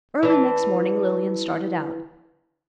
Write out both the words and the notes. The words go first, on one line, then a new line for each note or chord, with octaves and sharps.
Early next morning Lilian started out.
E3 D4